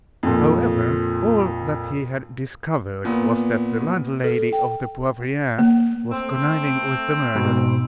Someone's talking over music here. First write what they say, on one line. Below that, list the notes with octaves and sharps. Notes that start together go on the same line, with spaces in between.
However, all that he had discovered was that the landlady of the Poivriere was conniving with the murderer.
F2 A#2
A#2 B3
A4
G5
A#3
A3 C4
G#2 B2